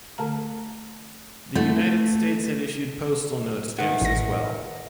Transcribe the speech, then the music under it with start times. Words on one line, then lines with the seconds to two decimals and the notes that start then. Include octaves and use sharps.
The United States had issued postal note stamps as well.
0.18 D3 A3 A#5
1.55 A3 A#3 C4 E4
3.78 D#3 B3 E5 F#5
4.01 A1 A#6